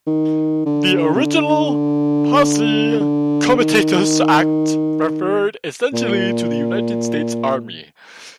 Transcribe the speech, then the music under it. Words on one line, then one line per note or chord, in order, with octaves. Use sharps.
The original Posse Comitatus Act referred essentially to the United States Army.
D#3
D3
C3
D3
D3
D#3
A#2